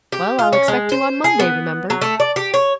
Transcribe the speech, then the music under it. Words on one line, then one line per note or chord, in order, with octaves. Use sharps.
"Well, I'll expect you on Monday, remember."
G4
F4
C#4
G#3
C5
G#4
B3
F#3
A3
D5
G4
C#5